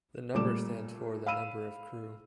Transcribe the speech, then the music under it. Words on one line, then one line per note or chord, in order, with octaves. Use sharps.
The number stands for the number of crew.
A#2 G3 A3 D6 E7
F5 B5 E6 D#7 E7